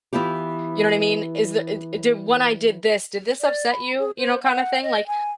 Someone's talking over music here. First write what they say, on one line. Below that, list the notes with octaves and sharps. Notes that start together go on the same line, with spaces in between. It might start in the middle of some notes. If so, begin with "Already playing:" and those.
You know what I mean? Is there it d "When I did this, did this upset you?" you know, kinda, thing, like,
E3 B3 E4 F4 G4
D5
B5
G#4
C5
F#5
D#5
G#5